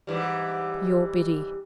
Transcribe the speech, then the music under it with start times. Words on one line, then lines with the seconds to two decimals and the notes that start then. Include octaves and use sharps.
Your BIDDY.'
0.07 G#2 E3 G3